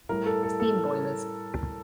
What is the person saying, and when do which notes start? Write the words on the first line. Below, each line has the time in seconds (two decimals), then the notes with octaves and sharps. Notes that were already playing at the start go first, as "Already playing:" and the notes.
Steam boilers.
0.09 A2 G3 A#4
0.26 A4
0.43 A4
0.60 A4